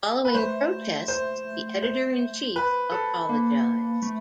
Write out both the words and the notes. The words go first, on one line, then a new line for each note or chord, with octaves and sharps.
Following protests the editor-in-chief apologized.
B4
A3 C5
C5
C5
B4
A4
A#3
A3